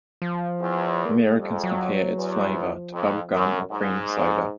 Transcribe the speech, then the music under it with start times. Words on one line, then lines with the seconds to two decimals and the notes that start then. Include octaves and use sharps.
Americans compare its flavor to bubblegum or cream soda.
0.22 F3
0.60 E2
1.05 A#3
1.17 A3
1.27 G#3
1.37 F2 G3
1.51 G#3
1.64 F#3
2.16 E2
2.55 F3
2.93 F2
3.31 F#2 E3
3.51 F#3
3.71 G#2
4.02 G3
4.09 F#3
4.29 G3